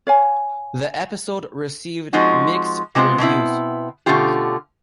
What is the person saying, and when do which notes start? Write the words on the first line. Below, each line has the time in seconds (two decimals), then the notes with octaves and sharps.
The episode received mixed reviews.
0.07 C#5 F5 G#5
2.13 F3 G#3 C4 D#4 F#4
2.95 C3 G#3 B3 C4 F4
3.18 B2 B3 C4 E4
4.06 B2 D3 A3 C#4 F4 G4